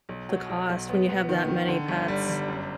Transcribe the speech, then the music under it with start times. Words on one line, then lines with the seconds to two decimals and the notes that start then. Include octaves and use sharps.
the cost when you have that many pets.
0.09 B1
0.29 F#3
0.49 B1
0.69 B1
0.89 B3
1.09 B3
1.29 D#3
1.48 D#3
1.68 D3
1.89 G1
2.08 G3
2.29 G1
2.48 F#2